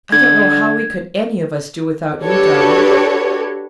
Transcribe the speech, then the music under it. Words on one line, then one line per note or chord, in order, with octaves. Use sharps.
I don't know how we could any of us do without you, darling.
D3 G#6
D4 F#4 G4 A4 B4 C#5